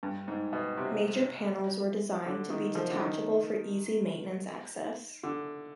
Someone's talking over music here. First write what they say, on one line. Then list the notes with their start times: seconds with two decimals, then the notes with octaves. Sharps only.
Major panels were designed to be detachable for easy maintenance access.
0.03 G2
0.28 G#2
0.53 B2
0.77 C3
2.26 D3
2.50 D#3
2.75 F3
2.90 D3
3.00 D#3
5.23 D3